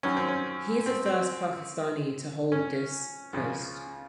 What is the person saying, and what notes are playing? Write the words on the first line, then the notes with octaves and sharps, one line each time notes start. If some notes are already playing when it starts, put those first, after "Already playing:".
He is the first Pakistani to hold this post.
F#2 D#3 F#3 C#4
C4
C#4
C4
C4
C#4
C#2 C#3 F3